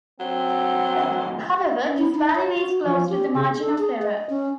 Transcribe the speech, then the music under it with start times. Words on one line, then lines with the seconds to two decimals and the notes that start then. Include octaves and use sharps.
However, this value is close to the margin of error.
0.20 F#3 C4
1.98 E4
2.15 D#4
2.36 C#5
2.57 F#4
2.85 F3
3.09 G4
3.34 C#3
3.60 A4
3.78 G#4
4.02 D#5
4.30 C#4